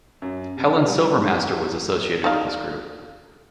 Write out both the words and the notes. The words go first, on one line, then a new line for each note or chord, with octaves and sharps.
Helen Silvermaster was associated with this group.
F#2
C3
G3
G4
D#4 D5 F5